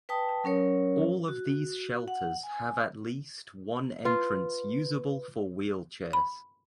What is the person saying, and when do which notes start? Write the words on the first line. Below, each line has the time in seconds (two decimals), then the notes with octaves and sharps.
All of these shelters have at least one entrance usable for wheelchairs.
0.09 B4 G5 A5 D#6
0.44 F#3 C#4 A#4 C#5
1.28 F#4
2.08 F#5
2.43 G#5
4.05 F4 B4
6.13 B5